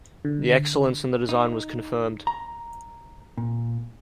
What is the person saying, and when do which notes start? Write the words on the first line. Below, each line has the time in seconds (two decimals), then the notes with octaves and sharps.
The excellence in the design was confirmed.
0.25 D3
1.29 D#4
2.27 A#5
3.37 A#2